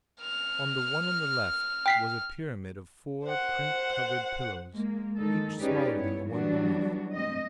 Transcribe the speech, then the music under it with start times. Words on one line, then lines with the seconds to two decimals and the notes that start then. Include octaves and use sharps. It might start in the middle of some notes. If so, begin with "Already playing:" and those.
On the one on the left was a pyramid of four print-covered pillows, each smaller than the one beneath.
0.21 F6
1.86 G5 B6 C7
3.24 C5 F#5
4.73 G#3 A#3
5.19 D#3 G#3 D#4 A4
5.60 C#4 D#4 G4 G#4 B4 D5
5.95 G2 B3 E4 C#5
6.29 E3 F#3 G3 B3 D4 F#4
7.13 A3 C4 D#5